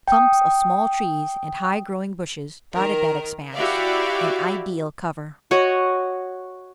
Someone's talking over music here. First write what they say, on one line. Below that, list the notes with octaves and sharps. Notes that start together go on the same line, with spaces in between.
Clumps of small trees and high growing bushes dotted that expanse, an ideal cover.
G5 D#6
D#3 A#4
E4 F#4 G4 D5 E5 F5
F#4 C#5 D#5 F#5